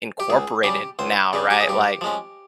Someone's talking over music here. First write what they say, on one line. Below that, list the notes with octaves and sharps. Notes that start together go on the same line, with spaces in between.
incorporated now, right? Like,
G4
C#2 G#4
C#3 G3 G4
C#2 C5
C#3 G3 G#4
G4
G#4
G2 G4
F3 G#3 C#4